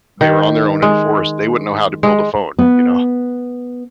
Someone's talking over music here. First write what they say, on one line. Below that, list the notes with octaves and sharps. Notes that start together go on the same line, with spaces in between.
they were on their own in a forest, they wouldn't know how to build a phone, you know?
D#3
G#3
G#3
B3